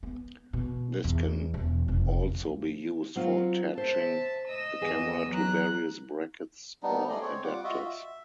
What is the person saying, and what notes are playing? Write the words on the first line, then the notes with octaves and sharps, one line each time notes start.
This can also be used for attaching the camera to various brackets or adapters.
B3
B2
E2
E1
F1
F2
F#3 C4 F4
C5 E5 A5
D#5 E6
E2 G#4 G#5
F#3 A#5 F#6
G3 B3 D4 D#4
A3 G#4 D5 D#5
C4 C#5
G3 F4 F#5 D6
F4 F#4 D#5 E5
E5